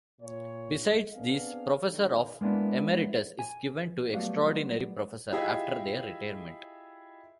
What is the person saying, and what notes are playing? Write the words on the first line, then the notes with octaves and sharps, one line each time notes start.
Beside these, professor of Emeritus is given to extraordinary professor after their retirement.
A#2 C#5
B3 C4 D4 G#4 F5
B2 D3 D#3
G#3 A#3 B3 D4 E4
G#5
F#3 G3 A3 B3 F#4 F5
E4 F4 G4 G#4 D#5 E5